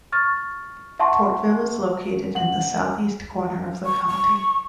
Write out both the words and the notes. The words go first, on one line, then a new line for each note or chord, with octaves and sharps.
Portville is located in the southeast corner of the county.
C#6 F6 A6
E5 F#5 A5 C6 C#6
F#5 F#7
C#6
C#6